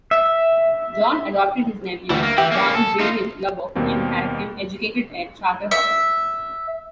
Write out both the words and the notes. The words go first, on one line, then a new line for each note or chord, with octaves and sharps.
John adopted his nephew, John William Lubbock and had him educated at Charterhouse.
E5
D2 E3 G3
A#3
E3 G4 E5 G5
A#3 C#4
A4
D#4 F4
D#2 B2 G3 A#3 C4
E5